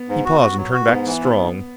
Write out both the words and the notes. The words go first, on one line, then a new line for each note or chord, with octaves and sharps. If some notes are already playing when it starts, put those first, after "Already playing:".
He paused and turned back to Strong.
Already playing: B3
G#2
F#4
F#4
F#3
F#4
G#2 B3
E3
G#2
G#2